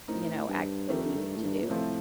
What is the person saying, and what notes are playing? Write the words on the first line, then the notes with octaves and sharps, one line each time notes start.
you know, activities to do.
A2 C4 D#4 A#4
G2
F2 D#3 A3 D4 G4 A#4
G2
A2
G2
A#2
A2 C3 F3 A3